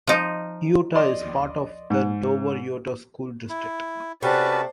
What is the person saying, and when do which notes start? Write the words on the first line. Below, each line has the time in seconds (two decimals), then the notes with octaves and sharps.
Eyota is part of the Dover-Eyota School District.
0.07 F3 D#4
0.95 D5 D#5 C6
1.90 G#2
3.49 E4
4.23 C3 A3 C#4 F#4 B4 C5 D5 A5